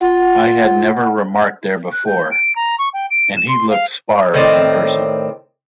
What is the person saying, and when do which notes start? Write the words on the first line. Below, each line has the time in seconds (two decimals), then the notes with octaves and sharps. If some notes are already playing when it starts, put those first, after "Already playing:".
I had never remarked there before; and he looked sparer in person.
0.01 F4 F#5
1.92 F#6
2.06 G6
2.31 D7
2.55 A#5
2.78 C#6
2.93 G5
3.10 D7
3.36 E7
3.48 C6
3.70 F5
4.34 A2 D#3 C4 D5